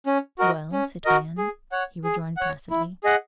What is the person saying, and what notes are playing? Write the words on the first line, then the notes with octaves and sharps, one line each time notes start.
"Well, citoyenne?" he rejoined placidly.
C#4
F#4 A#4 D#5
C#4
F#4 A#4 D#5
G#4
C#5 F#5
G#4
C#5 F#5
E4
G#4 D#5 F#5